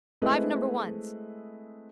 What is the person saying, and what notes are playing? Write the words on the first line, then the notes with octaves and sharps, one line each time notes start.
Five number ones.
G#3 A3 C4 E4 B4 D#5